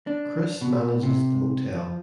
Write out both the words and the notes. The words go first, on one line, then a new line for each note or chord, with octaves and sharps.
Chris manages the motel.
D4
B2
C3
F3